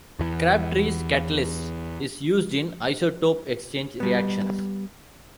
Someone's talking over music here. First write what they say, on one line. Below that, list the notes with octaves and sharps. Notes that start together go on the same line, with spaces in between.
Crabtree's catalyst is used in isotope exchange reactions.
E2 E3
G3 B3